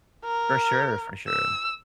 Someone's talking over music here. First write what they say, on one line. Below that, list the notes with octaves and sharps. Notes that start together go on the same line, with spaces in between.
For sure, for sure.
A#4
E6